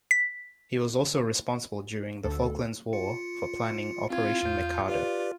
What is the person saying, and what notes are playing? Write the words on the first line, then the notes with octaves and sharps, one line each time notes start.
He was also responsible during the Falklands War for planning Operation Mikado.
B6
D2 A4
F4 C#7
C4 E4 F4 G#6
E2 G6
F4 G4 B4 D5